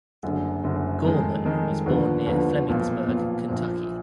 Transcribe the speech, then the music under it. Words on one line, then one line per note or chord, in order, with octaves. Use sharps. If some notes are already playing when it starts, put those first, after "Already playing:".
Gorman was born near Flemingsburg, Kentucky.
F#1 F#2 D3
F#1 F#2 D3
F2 D#3 G#3
F2 D#3 G#3
D#2 D3 F3 B3
D#2 D3 F3 B3
B1 A#2 F3 B3 F4
B1 A#2 F3 B3 F4
A#1 A#2 F3